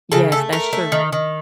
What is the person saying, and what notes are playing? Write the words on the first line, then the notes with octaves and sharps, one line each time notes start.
Yes, that's true.
C#3 A4
A3 A4
A3 A#4
A3
D#3
D#3